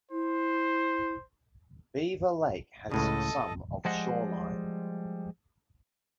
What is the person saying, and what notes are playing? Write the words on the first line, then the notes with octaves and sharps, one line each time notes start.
Beaver Lake has some of shoreline.
E4 C5
C#2 A2 C#3 A4 D#5
F3 G3 G#3 C5 D#5 F#5